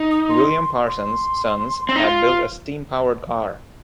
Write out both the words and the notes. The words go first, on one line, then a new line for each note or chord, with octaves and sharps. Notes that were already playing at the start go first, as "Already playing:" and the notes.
William Parsons' sons had built a steam-powered car.
Already playing: D#4
D#6
C6
C6
C4
D#4
F4